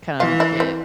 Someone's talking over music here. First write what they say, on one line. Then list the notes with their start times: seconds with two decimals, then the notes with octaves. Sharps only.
come Yeah
0.20 E3 F4
0.40 E4
0.60 C4